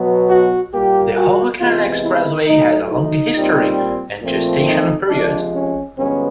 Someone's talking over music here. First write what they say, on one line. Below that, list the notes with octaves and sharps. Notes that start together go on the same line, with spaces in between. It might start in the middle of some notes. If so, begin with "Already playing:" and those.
The Hohokam Expressway has a long history and gestation period.
Already playing: B2 F#3 B3
F#4
A#2 G3 A#3 G4
F#4
C3 E3 G#3 B3 F4
E4
A2 F#3 A3 D#4
D#4
A#2 G3 C4
A#2 F3 A3 C4
D#4
C3 F3 G#3 D4
C#4
G2 D3 F3 G#3 B3 C#4